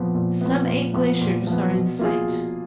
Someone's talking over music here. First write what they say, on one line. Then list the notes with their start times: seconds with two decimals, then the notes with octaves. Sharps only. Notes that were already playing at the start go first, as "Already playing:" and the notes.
Some eight glaciers are in sight.
Already playing: A#2 F3 B3
0.15 A#2
0.41 F3 B3
0.67 A#2
0.94 F3 B3
1.21 A#2
1.47 F3 B3
1.73 B2
1.99 A#3 F4 G#4
2.27 B2